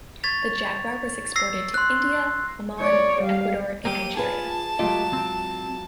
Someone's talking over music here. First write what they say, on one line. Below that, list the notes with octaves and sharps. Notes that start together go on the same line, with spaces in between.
The Jaguar was exported to India, Oman, Ecuador and Nigeria.
C#6 G#6 A6 B6 F7
E6 A#6 C7
C6 F#6
C#5 D5
G3 F5
A#3 C4 G4 D#7
F4 G#4 B4 A5
F#3 G#3 A3 F4 G4 D#5
C4